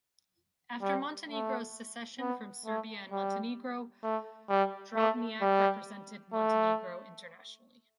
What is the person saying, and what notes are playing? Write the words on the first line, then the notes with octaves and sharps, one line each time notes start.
After Montenegro's secession from Serbia and Montenegro, Drobnjak represented Montenegro internationally.
G3
A3
B3
A3
G3
A3
G3
A3
G3
A3